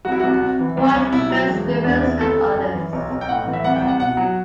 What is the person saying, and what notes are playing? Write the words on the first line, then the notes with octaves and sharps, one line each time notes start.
White, Ben Scrivens and others.
C2 F#4
E4
C2 F#4
C3
E3
C2
C2
B2 E4
F#3
E1
E3
E2 D4
D4
C3 E4
G1 A4
G1
F#2
E3
B1
B1
G5
A2 F#5
E3
E5
C2 F#5
G5
C2
F#5
B2 F#5
F#3